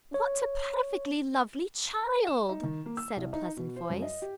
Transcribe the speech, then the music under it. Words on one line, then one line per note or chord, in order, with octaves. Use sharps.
"What a perfectly lovely child!" said a pleasant voice.
C#5
E7
D#4
D#3
A#3
E6
C2
D#4
B2
C5
F#2
D#5
G4